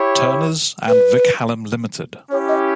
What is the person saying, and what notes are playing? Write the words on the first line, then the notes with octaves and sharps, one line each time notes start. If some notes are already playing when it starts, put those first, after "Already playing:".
Turners, and Vic Hallam Limited.
Already playing: E4 G4 C#5
B4
C#4 E4 G4 C#5
D#5